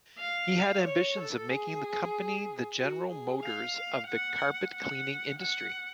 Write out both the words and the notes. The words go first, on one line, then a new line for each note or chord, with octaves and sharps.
He had ambitions of making the company the General Motors of the carpet-cleaning industry.
F5
C#5
A4
G#4
F#4
G#4
F5
F#5
F#5
F#5